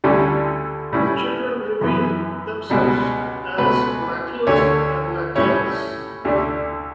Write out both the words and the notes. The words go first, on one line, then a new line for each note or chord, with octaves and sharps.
The children revealed themselves as Latios and Latias.
D2 D3 G3 C#4 E4 A4
A2 G3 C#4 E4
F#2 E3 B3 E4
C#2 B2 G3
C#2 B2 A3 B4
D2 D3 A3 C#5
A2 G3 C#4 E4 C#5
D2 D3 A3 D4